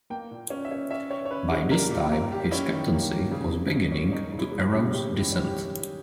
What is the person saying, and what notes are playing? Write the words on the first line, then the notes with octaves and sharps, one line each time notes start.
By this time his captaincy was beginning to arouse dissent.
A#3 G5
A#2
C#4
E5
C#4
C#4 E5
C#4 C#5
C#5
C#4 B4
G3 G#4
A#2 A#4
A#2
A#3 A#4
A#2 G4
C#4 E4
D#3
A#3
A#3
C#3
C#3
C#3
C#4
C#4 D#4
C#3
E4
G#3
G4
C#3
C#4 G4
D#3
E4
C#4
G4